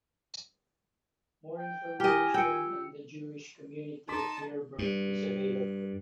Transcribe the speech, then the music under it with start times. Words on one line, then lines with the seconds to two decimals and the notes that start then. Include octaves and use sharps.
More information on the Jewish community of Yurburg is available.
1.57 G5
2.00 E4 G4 D#5 G#5 F6 G7
2.34 F4 G5 E6 C#7
4.09 D#4 A5 C6 D6 B6
4.79 G2